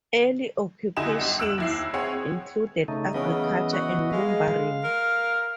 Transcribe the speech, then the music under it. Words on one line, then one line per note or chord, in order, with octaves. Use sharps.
Early occupations included agriculture and lumbering.
D3 E4 G4 D#5 G#5 E7
G1
E6 F#6 D7 E7 F#7
D#2 E4 C7
C4 G#4 C#5 F#5
C#3 A3 D#4
C#3 E3 B3 D#5
F#4
G#3 F5
A#4